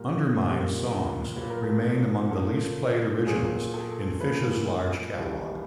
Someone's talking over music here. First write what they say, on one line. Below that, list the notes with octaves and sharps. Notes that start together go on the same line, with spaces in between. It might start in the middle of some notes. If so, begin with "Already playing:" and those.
"Undermind"'s songs remain among the least played originals in Phish's large catalog.
Already playing: A#2 G3 A#3 A#4
A#2 G3 A#3
A#2 F#3 A#3 B4
A#4
A4
A#4
A#2 F#3 A#3 A4
A#2 F#3 A#3 G#4
A4
A#2 F#3 A#3 B4
D#2 C#3 E3 G3